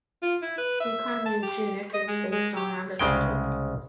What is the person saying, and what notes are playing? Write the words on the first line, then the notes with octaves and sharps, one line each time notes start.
The economy of Junik is based on agriculture.
F4
E4
B4
E5
A5
G4
D#5
G#3
G#3
G4
C2 C#3 G#3 G5